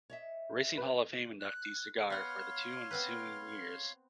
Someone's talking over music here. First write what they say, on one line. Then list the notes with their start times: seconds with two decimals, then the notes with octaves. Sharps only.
Racing Hall of Fame inductee Cigar for the two ensuing years.
0.10 C#5 D#5 E5
0.77 B4
1.40 F#6
2.10 B3 C#5 F5 F#5 C6 F6
2.91 B3 C4 B4